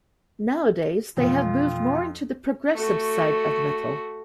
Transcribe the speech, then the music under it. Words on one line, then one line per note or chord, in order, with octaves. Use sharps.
Nowadays, they have moved more into the progressive side of metal.
F2 B2 E3 A3 F4
A3 F#4